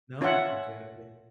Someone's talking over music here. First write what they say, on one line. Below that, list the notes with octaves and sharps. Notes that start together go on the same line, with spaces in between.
No? Okay, okay.
C#4 F4 C#5 E5 F#5